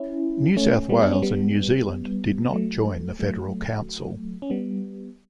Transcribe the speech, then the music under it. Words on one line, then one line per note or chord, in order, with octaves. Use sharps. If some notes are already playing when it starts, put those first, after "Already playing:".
New South Wales and New Zealand did not join the Federal Council.
Already playing: C#4 E4
A3 C#4
G3 B3
D4
C#4
G3 B3
B3
F#3 A3
F#3 A3
C#4
G3 B3